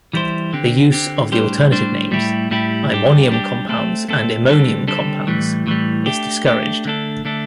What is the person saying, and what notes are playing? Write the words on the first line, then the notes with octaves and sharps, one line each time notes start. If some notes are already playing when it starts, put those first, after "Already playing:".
The use of the alternative names imonium compounds and immonium compounds is discouraged.
E3 G3 E4 C5
D3 C4 G4
D3 C4 G4
A2 G3 D4 G4 C5
A2 G3 D4 G4 C5
A2 G3 E4 G4
A2 G3 E4 G4
G3 D4 G4
G3 D4 G4
A3 C4 A4
A3 C4 A4
D3 G3 C4 A4
D3 G3 C4 A4
A2 E3 G3
A2 E3 G3
A3 D4 G4
A3 D4 G4
D3 A3 D4 A4
D3 A3 D4 A4